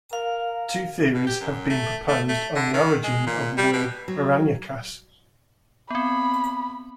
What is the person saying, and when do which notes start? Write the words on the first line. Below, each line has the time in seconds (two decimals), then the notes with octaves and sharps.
Two theories have been proposed on the origin of the word "Aranyakas".
0.13 A#4 F5
1.14 B2
1.27 G4
1.41 F#2
1.70 A3
2.09 A3
2.29 A3
2.56 D3
2.74 D#3
3.04 G#3
3.27 A#2
3.58 G3
3.73 B2
4.08 F#3
5.90 B3 C4 B5